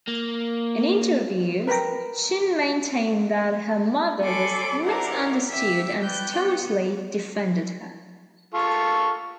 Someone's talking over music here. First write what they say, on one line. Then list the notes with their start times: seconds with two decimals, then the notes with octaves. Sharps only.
In interviews, Chin maintained that her mother was misunderstood and staunchly defended her.
0.07 A#3
1.67 A#4 B4 C#5 G5 A#5
4.21 A4 C#5 G#5 B5 C6 D6
4.84 E4 G4 A#4 C5 D5 F#5
5.48 G4 E5
6.03 B4 D5 G5 F#6 G6
6.37 B3
8.54 F4 A4 C#6